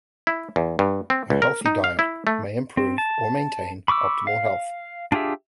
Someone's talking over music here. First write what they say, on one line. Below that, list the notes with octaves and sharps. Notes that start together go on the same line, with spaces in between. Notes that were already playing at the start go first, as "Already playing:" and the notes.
A healthy diet may improve or maintain optimal health.
E4
E2
G2
C4
C#2
A#4
D#4
F5
E4
A3
C4
A5
B5 C#6 D6 E6
F5
D4 F4 G4 G#4 E5